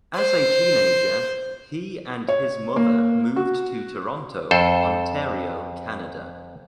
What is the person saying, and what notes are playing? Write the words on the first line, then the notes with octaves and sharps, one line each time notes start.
As a teenager, he and his mother moved to Toronto, Ontario, Canada.
C5
C#5
A#3
F#4
F2 A4 C5